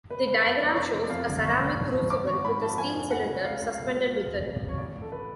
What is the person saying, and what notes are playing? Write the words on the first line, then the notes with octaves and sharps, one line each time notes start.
The diagram shows a ceramic crucible with a steel cylinder suspended within.
F#1 B4
F#1
B4
F2
F3
C#5
F1 D5
F1
F2 F5
D3
F#1 C#6
F#1
F2
F3
G#1 D6
G#1 C#6
G#2 B5
F3 A5
F3 G#5
F1
F2 F#5
C#3
C#2 F5
C#2
B2
F#3
F#3
F1
F2
C#3
C#5
A1 D5
A1
A4
B4